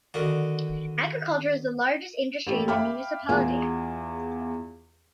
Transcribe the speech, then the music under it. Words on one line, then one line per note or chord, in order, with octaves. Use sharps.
Agriculture is the largest industry in the municipality.
D3 D#3 F#4
A1 G4 A4
E5 F5 G5 B5 D6 F6
E2 F4 G#4 G#5